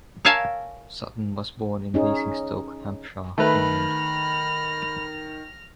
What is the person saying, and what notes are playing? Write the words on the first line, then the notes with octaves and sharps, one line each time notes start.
Sutton was born in Basingstoke, Hampshire, England.
A#4 C#5 E5 F5 G#5 A5
C#4 D#4 G#4
D#3 A3 B4 B5 F6 A#6